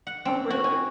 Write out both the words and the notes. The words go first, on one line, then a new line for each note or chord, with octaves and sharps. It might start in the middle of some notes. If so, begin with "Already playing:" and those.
Oh, really?
F#5
C4
F#4
G#5